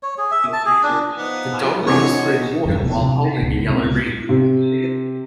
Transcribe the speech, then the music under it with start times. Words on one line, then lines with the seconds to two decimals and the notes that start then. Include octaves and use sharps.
The dog runs through the water while holding a yellow ring.
0.03 C#5
0.18 G#4
0.31 E5
0.53 A5
0.66 G#4
0.83 D4
1.16 F3 B3 D#4
1.87 C3 E3 F#4 C#5 D#5
2.65 E2 G2 F3
2.82 D#1 B2 F3 A3
3.01 C3
3.42 C#2 B2
3.69 B2 G#3 B3 C4
3.86 C#2 B2
4.29 C3